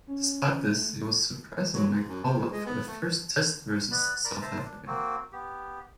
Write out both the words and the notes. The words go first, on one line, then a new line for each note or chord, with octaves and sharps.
Despite this he was, surprisingly, called up for the first Test versus South Africa.
C#4
A3
F#3
G#2
F#2
C3
A#2
G#3
B3
A3
B3 B4 D5 B5
A#4 D5 B5
C5 E5 A5 A#5
D4
A#3 C4 F#4
B3 G4